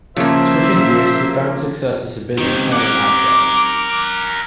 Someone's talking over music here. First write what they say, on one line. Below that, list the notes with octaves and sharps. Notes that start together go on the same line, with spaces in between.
Switching gears, he found success as a businessman in Accra.
C#3 F3 A3 A#3 C5 E5
C#2 D#3 C4 D#4 G4
A#4 F#5 D6